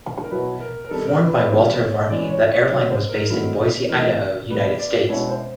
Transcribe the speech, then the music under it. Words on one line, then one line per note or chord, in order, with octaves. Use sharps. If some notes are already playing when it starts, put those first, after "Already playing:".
Formed by Walter Varney, the airline was based in Boise, Idaho, United States.
A#4
B2 F#3 B3 E4 B4
A#4
A#4
D#3 G3 C4 A4
A#4
B4
B4
D#3 G3 B3 C5
C#5
E3 G#3 C#4 D5
C#5
C#5
C3 D#3 F#3 C#5
C5
A#4
D#3 F#3 A3 C4 E4
E3 A3 C4 D#4 A#4
D#3 G3 B3 B4
D5
B2 G#3 C#4 E4 C#5
C5